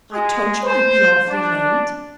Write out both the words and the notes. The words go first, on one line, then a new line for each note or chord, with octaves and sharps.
"I told you I'd be awfully late."
G#3
C5
D4